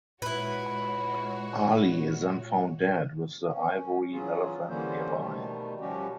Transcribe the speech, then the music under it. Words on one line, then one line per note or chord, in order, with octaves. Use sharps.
Ali is then found dead with the ivory elephant nearby.
A#2 G#3 E4 F#4 B4 C#5
C#4
E3 F#3 C#4 F4 G#4
D3 E3 G3 A#3 C#4 C5
B2 D#3 G3 A3
F3 G3 C#4 F#4 G4